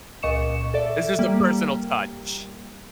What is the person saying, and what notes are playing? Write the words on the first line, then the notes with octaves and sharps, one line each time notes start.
It's just a personal touch.
C#2 A#2 D#5 C#6 C#7 E7
A4 D5 E5
G3 A#3